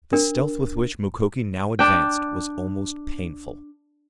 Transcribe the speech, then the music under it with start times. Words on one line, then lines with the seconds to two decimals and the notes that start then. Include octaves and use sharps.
The stealth with which Mukoki now advanced was almost painful.
0.13 D4 A#4
1.79 D4 G5